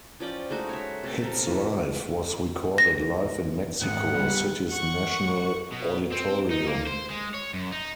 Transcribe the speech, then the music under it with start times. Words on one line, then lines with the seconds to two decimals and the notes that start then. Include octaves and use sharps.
HitsLive was recorded live in Mexico City's National Auditorium.
0.20 F3 C#4 D5 G5
0.50 G#3 A3 D#4 F#4
0.69 C#5 E5
1.03 C3 A3 A5
1.22 A4 A#4
1.47 E3 A3 F#4
2.78 A#6
3.82 G#2 D#3 G#3 F#5
4.14 G3 B3
4.69 F#5 C#6
5.72 B2
6.12 C4
6.51 D#4
6.67 A#3
6.87 C5
7.10 G#3
7.34 C#5
7.53 F#2
7.72 D#4